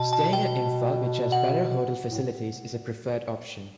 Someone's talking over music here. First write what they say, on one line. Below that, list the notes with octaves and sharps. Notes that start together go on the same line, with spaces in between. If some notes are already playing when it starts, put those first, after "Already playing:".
Staying at Imphal which has better hotel facilities is a preferred option.
Already playing: B2 A5
A5
G5
F#5
A2